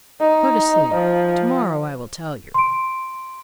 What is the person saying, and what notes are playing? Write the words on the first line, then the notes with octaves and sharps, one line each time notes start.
Go to sleep; to-morrow I will tell you.'
D#4
F3
C6 D7